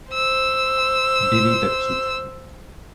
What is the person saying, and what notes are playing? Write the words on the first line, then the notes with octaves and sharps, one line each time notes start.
Billy the Kid.
C5 E6